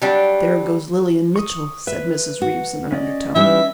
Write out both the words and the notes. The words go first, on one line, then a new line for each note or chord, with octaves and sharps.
"There goes Lilian Mitchell," said Mrs. Reeves in an undertone.
F#3 G3 D4
C#6 D#6
B4 E5
F#4
C#4 D5 D#5
E3 G3 D#4 E5